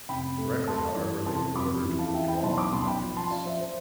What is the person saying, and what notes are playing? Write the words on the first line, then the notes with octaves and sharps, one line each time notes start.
Directly, however, they were ordered to withdraw from that place.
F1 G5 B5
A3
A3 A5 C6
E3
F1 A5 C6
F2 B5 D6
E3
F5 A5
E3 E5 G5
G5 B5
B1 A5 C6
B5 D6
B1 A5 C6
G5 B5
F3
A5 C6
F3 D5 F5
C5 E5
F3 C5